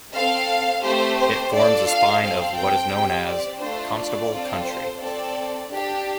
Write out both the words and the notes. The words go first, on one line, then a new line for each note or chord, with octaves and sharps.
It forms the spine of what is known as "Constable country".
C4 A4 F5
A3 C4 G4 C5
C5
D4 F4 A4 D5
F5
C4 A4 F5
G5
C4 G4
D5
A3 D4 F4 A4 C5
D5
C4 F4 A4
C5
C4 A4 D5
D4 G4